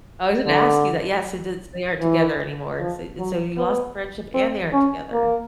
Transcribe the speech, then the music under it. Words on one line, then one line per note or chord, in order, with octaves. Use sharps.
I was gonna ask you that, yes. So did they aren't together anymore. And so and so you lost the friendship, and they aren't together.
D3
E3
F3
F#3
B3
C4
C#4
A#3